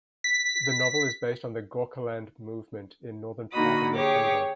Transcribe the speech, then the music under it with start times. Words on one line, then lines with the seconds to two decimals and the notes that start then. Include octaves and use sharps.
The novel is based on the Gorkhaland movement in northern part of West Bengal.
0.24 B6
3.52 D3 A#3 D#4 F#4 B5 D#6
3.95 G4 G#4 C#5 D6